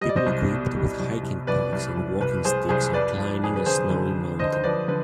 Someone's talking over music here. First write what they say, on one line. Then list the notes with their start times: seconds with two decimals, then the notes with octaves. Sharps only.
People equipped with hiking packs and walking sticks are climbing a snowy mountain.
0.01 G3 D#5
0.09 D5
0.16 C5 D#5
0.26 C2
0.51 B2
0.75 G3
0.99 C2
1.23 C2
1.47 C2 B4 D5
1.73 C2
1.97 C2
2.21 C2 B4
2.45 C2 G#4 C5
2.69 C2 G#4 C5
2.93 F2 B4 D5
3.18 F3
3.43 F2 G#4
3.56 B4
3.66 D3 G#4 C5
3.90 D3
4.15 F2
4.39 D3 C5 D#5
4.53 C5
4.64 F3 B4 D5
4.88 D3 B4